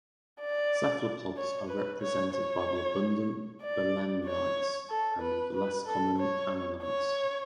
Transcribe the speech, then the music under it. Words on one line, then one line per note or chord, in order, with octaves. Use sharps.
Cephalopods are represented by the abundant belemnites and the less common ammonites.
D5
C#5
B4
C#5
C#5
D5
C#5
A4
B4
B4
A4
C#5
C#5